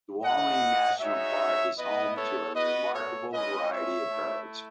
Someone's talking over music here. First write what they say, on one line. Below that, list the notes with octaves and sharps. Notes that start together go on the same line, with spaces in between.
Diawling National Park is home to a remarkable variety of birds.
A3 E4 D#5 F#5
G#3 D#4 F#4 C#5 E5
B3 E4 B4 D#5
A4 C#5
B3 F#4 B4 D#5
A4 C#5
G#3 C#4 E4 B4 D#5
C#5 E5
A3 E4